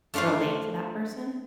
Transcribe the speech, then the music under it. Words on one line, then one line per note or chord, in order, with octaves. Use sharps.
relate to that person,
A3 D4 F4 C5 F5